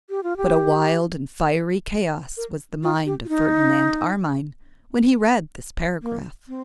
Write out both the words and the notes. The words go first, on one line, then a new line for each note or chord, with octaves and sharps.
What a wild and fiery chaos was the mind of Ferdinand Armine when he read this paragraph.
G4
F4
G4
A#4
F4
G4
F4
D#4
A#3
C4